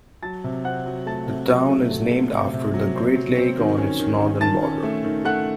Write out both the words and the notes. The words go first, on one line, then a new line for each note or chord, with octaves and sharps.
The town is named after the Great Lake on its northern border.
F#3 A5 A6
C3
C4 F#5 F#6
F#3
A3 A5 A6
C3
F#3
A3
A3
A3
C3
C3
F#3
C4
F#3
C4
D#3
C#4
D#3
D#3
D#3 A5 A6
C#4
A3
D#3
A3 F#5 F#6